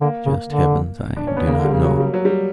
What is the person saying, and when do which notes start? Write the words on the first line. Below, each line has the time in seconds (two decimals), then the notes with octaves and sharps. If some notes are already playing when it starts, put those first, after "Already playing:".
Just Heavens, I do not know.
0.01 D3 A#3
0.26 C#3
0.49 D3
1.17 D4
1.27 C#4
1.37 B3
1.46 C#3 A#3
1.58 D3
1.64 G3
1.72 C#3
1.83 F#3
2.00 G3
2.14 F#3
2.25 G3